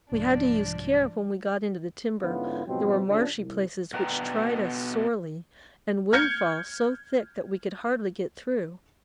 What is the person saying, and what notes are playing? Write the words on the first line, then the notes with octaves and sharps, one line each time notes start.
We had to use care when we got into the timber; there were marshy places which tried us sorely, and windfall so thick that we could hardly get through.
C2 G#2 F3 D4
G#2 D3 B3 C#4 E4 F4
G#2 B2 F3 F#3 C4 G4
C#3 F3 D4
C2
B2 B3 D4 B4 G5 A#5
F6 G6 G#6 C#7